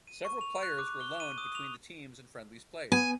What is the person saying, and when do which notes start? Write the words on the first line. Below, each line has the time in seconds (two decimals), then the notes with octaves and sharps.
Several players were loaned between the teams and friendlies played.
0.07 D#7
0.25 C#6
0.41 F7
0.63 F#6
0.78 D6
1.00 G7
1.20 D#7
1.38 D#6
1.55 F7
2.92 B3 G#5